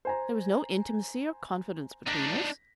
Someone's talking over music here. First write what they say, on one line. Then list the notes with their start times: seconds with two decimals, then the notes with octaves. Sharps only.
There was no intimacy or confidence between us.
0.05 C5 G#5 A#5
2.07 D4 D#4 A#6 B6